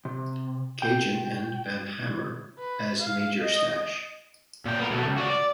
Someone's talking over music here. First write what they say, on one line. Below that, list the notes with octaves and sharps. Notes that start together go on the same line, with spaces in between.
Cajun, and Van Hammer as Major Stash.
C3
G5
B4
F5
D#5
A#2 G5
B3 A#4
B2 A3
C#2
F#4 D5
D5